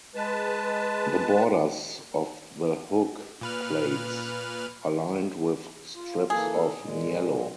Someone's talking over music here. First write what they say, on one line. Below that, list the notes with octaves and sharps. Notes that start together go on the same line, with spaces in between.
The borders of the hook plates are lined with strips of niello.
G#3 B4 A5
A#2 B4 F6
F4
E3 A#3 G#4 A4
A#2 G#3